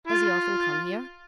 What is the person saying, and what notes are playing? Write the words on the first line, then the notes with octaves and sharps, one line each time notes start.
"Does he often come here?"
F4